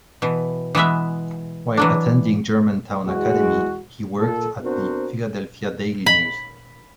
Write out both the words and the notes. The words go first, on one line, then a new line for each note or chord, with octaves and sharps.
While attending Germantown Academy, he worked at the "Philadelphia Daily News".
B2 E3
E3 G#3 B3 E5
E3 F#3 D4
E2 G#3 F#4
A#2 A4
B3 C4 D4 F#4 A#4 C5
B5